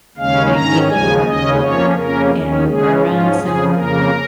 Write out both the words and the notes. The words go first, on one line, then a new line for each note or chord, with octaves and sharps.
you know, you did go to work or, you know, you were around someone?
D#2 C#3 G#3 C#4 F5
G#2 D#3 C#4 A#5
D#2 C#3 F3 G#3 G#5
D#2 C#3 G#3 C#4 D#5
F2 F3 A#3 C#4 C#5
F2 C#3 A#3 C#4 A#4
D#2 D#3 C#4
C#3 G#3 C#4 G#4
G#2 F3 C#4 F4
F2 C#3 F3 G#4
F2 C#3 A#3 A#4